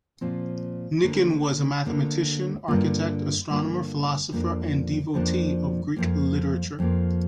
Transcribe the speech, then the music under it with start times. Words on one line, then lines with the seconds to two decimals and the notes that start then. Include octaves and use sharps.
Nicon was a mathematician, architect, astronomer, philosopher, and devotee of Greek literature.
0.21 A#2 F3 C4
1.03 D2 D3 A#3
1.85 D2 D3 A#3
2.68 G2 D3 A#3 F4
3.49 G2 D3 A#3 F4
4.32 F2 F3 A#3 D4
5.14 F2 F3 A#3 D4
5.96 F2 F3 A#3
6.79 F2 F3 A#3